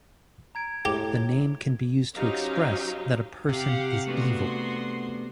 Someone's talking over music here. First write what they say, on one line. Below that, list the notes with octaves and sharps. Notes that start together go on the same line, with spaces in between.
The name can be used to express that a person is evil.
A#5 G#6 D7
A2 G4
F#3 C#4 D#4 G4 C5 F5
C3 G4 F5 F#5
A3 B3 D4 F#4 C6